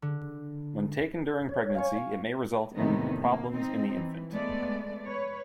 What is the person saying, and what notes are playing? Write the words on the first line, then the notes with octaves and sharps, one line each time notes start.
When taken during pregnancy it may result in problems in the infant.
D3
C#5
F5 G#5 C#6
E2 A2 C3 D#3 B3 D#4
A#3
C4 D#4
E3
G#3 A3 B3 D5
B4 C#5